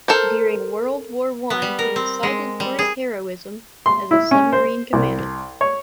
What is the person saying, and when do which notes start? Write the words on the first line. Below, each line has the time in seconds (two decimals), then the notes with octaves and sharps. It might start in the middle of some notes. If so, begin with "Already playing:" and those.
During World War One, he was cited for his heroism as a submarine commander.
0.08 A4 A#4 C5
1.50 B3
1.62 G3
1.79 A#4
1.96 C4
2.23 G#3
2.60 G3
2.79 G#4
3.86 C6
4.11 E4
4.31 C#4
4.53 C5
4.93 C2
5.61 C#5